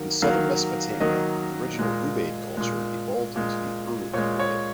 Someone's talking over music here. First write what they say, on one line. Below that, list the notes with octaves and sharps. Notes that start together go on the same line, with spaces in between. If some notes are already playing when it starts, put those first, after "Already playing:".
In southern Mesopotamia, the original Ubaid culture evolved into the Uruk period.
Already playing: D#3 F#3 A#3
D#3 F#3 A#3 F5
D#3 F#3 A#3 D#5
A#2 G#3
A#2 G#3
A#2 G#3
A#2 G#3 C#5
C#5